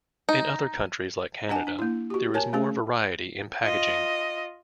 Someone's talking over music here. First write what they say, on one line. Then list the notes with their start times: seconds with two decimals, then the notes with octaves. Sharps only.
In other countries, like Canada, there is more variety in packaging.
0.29 D#4
1.49 D4 D#5 F#5 G#5 A5
1.67 D4
1.79 A#3 E4
2.10 F#4 G4
2.34 A#4 C#5 G#5 A5
2.53 A3 C#4 G#4
3.63 F4 D#5